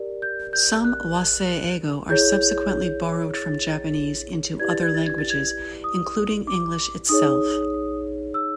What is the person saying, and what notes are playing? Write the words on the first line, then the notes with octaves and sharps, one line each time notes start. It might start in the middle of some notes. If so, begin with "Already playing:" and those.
Some "wasei-eigo" are subsequently borrowed from Japanese into other languages, including English itself.
Already playing: G4 A#4 D5
G6
G6
F#6
E4 G#4 C#5 G6
A6
E4 G4 B4 D5 G#6
A6
G#6
A6
G#6
A6
G#6
D#6
D6
D#4 G#4 C#5 D#6
E6